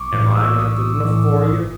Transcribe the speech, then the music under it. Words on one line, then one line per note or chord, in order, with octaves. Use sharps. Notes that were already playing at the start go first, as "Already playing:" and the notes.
Am I not good enough for you?'
Already playing: B1 C#6 D6
A2 E3
E6
B1 D#6
A2 E3
G1